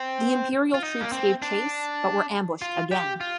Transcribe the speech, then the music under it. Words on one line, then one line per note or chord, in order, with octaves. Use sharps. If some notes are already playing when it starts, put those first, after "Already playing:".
The imperial troops gave chase but were ambushed again.
Already playing: C4
F4
D#4
A#3
C4
D4
F4
G4
F4